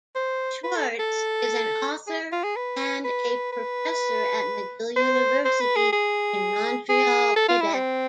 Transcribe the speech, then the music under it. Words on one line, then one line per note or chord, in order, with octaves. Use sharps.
Schwarcz is an author and a professor at McGill University in Montreal, Quebec.
C5
B4
A4
A4
G#4
F4
G#4
B4
B4
B4
C5
C5
B4
G#4
G#4
G#4
A4
F4
E4
C4